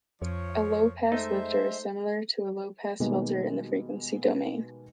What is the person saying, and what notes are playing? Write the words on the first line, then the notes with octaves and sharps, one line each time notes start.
A low-pass lifter is similar to a low-pass filter in the frequency domain.
F2 F3 C#5
G#3 A3 D#4 C5 E5
B2 D#3 G3 G#3 A#3 B3